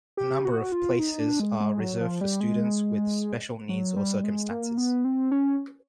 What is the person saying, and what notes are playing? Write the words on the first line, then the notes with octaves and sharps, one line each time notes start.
A number of places are reserved for students with special needs or circumstances.
G4
F#4
F4
D#4
D4
G#3
G#3
F#3
F3
G3
G#3
F#3
G3
G#3
A#3
B3
C4
C#4